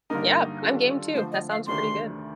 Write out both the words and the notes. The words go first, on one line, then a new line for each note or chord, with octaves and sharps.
Yeah, I'm game too. That sounds pretty good.
G2 D3 G3 A#3 D#4 A#4
D#3 G3 D4 F4 A4
D3 F3 A3 C5
D#5
F5
D2 C3 D#3 A3 D4 C6